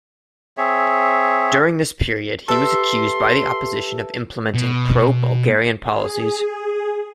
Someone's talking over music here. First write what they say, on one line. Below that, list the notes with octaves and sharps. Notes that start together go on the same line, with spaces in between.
During this period, he was accused by the opposition of implementing pro-Bulgarian policies.
C4 G#4 C#5 E5
G4 A4 B4 E5 A5 C6
B2
G#4